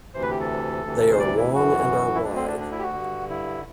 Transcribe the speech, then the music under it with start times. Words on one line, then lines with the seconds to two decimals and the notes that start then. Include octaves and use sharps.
They are long and are wide.
0.14 D2 C3 E3 C5
0.22 B4
0.31 G4
0.40 A4
0.84 D2 C3 E3
1.12 C5
1.19 D5
1.37 E4
1.54 F#2 E3 F#4
2.15 E4
2.24 D2 D3 D4
2.35 C4
2.48 D4
2.59 D4
2.72 E4
2.79 G4
2.83 F#4
2.94 G2 D3
3.30 E4